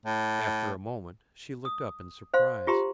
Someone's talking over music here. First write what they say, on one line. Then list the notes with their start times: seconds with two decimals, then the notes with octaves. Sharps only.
After a moment she looked up in surprise.
0.05 A2
1.65 D#6
2.34 C5 F5 C6
2.67 F4 G4 A#5 C6